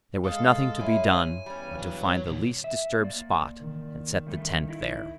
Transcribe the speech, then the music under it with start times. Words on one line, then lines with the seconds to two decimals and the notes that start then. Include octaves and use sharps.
There was nothing to be done but to find the least disturbed spot, and set the tent there.
0.24 G#3 A4 F5 D#6
0.81 E4 C#5 G#5
1.46 E2 G2 G3 C#4
1.79 F#3
2.25 A#2 D3
2.64 E5
3.00 A#3 D5
3.61 D#3
4.27 C#3 G3 A3
4.69 D#4 E4